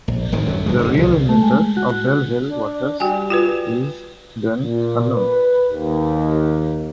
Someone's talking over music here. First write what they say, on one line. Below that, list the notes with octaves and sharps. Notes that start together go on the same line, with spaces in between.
The real inventor of Belleville washers is, then, unknown.
A#1
D1 G#1 G#2 D#3
F#2 D3 F#3
D1 D2 G#3
G1 D3
C2 A#2 C#3
A3
G#3
F#4
D4
G3 F#4 G5 G#5
F4 F#4 B4
A#2
B4
D#2